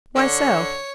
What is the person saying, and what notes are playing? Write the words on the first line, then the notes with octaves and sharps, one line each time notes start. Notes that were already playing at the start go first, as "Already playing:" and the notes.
"Why so?"
D3 C#5